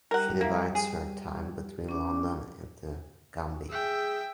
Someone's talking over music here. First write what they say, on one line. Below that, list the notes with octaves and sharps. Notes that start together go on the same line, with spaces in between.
She divides her time between London and The Gambia.
G3 G4 A#4 F#5
A#3 E4
G#4
C#4 D6
G#4 E5 G5